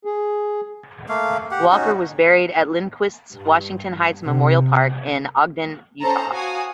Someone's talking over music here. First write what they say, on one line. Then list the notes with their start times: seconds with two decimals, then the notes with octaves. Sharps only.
Walker was buried at Lindquist's Washington Heights Memorial Park in Ogden, Utah.
0.05 G#4
1.09 A3 A#3 F5
1.51 G4 F#5
1.72 C#4 D#4 F#4
3.32 G2
4.22 C3
6.01 C#4 A4 C5 A5 A#5
6.33 F#4 F5 G#5 D#6